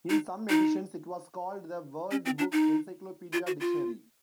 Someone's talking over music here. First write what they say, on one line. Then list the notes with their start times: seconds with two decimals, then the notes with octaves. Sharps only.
In some editions it was called the "World Book Encyclopedia Dictionary".
0.10 D#4
0.49 D#4
2.11 C#4
2.26 C4
2.38 D4
2.52 D#4
3.33 F4
3.47 F#4
3.60 F4